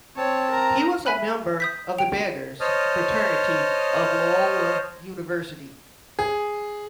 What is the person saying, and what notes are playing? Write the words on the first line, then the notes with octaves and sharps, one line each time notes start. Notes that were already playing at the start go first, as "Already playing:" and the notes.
He was a member of the Beggars Fraternity of Loyola University.
C4 C#5 A5
A#4 A#5
E5 G#5 B5 F#6
D#6 G6 B6
G5 D7 F7
C5 C#5 D#5 A5 D#6 F6
G#4